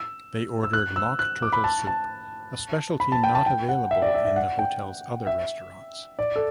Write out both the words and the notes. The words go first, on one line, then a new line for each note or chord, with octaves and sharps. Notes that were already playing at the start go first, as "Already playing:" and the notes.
They ordered mock turtle soup, a specialty not available in the hotel's other restaurants.
Already playing: E6
E6
F#6
E6
F#6
D6
B5
A5
A5
B5
A5
G5
A5
G5
F#5
E5
D5
E5
E5
F#5
G5
E5
D5
A4